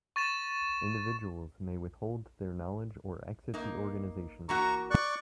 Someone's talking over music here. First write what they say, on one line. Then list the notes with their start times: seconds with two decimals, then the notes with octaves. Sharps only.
Individuals may withhold their knowledge or exit the organization.
0.16 C#6 A6 D#7 E7
3.54 A#3 D#4
4.49 E3 A#3 F#4 A#5 C#6
4.91 D5 C#6 F#6